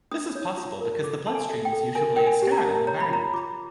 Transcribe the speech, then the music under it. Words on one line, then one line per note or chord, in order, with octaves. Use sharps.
This is possible because the bloodstream is usually a sterile environment.
D4 D#6
C#5
F4
A#4
A4 D6
A4 A5
G#5
A4
G5
A4
A#4 G#5
A#4 G5
G#5
G4
A#5
A5
A#4
C#5 A#5
B5
F4 A#5
F4 D6